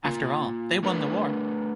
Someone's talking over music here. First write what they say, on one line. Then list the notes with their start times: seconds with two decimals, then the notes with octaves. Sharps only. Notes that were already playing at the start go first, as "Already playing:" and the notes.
After all, they won the war.
0.05 A#3 F4
0.83 A3 D4 A#4 B4